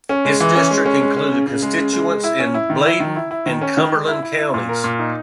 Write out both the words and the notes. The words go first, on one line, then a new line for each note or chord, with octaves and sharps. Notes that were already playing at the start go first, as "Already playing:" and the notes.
His district included constituents in Bladen and Cumberland counties.
C#4
G#3
E3
C#4
G#3
C#4
G#3
C#4
C#3
C#3
G#3
C#3
G#3
G#3
E4
C#4
E4
D#3
E4
D#3
E4
E4
D#3
C#4
D#3
G#3
E4
E4
E4
A#2
A#4
A#2
D#4